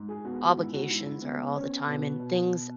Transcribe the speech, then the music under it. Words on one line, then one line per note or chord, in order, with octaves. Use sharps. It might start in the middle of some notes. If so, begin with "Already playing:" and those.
Obligations are all the time, and things
Already playing: G#2
G#4
B3 F#4
F#4
G#2 E4
F#4
G#2 E4
E4
B3
B3 C#4
B2 B3
B2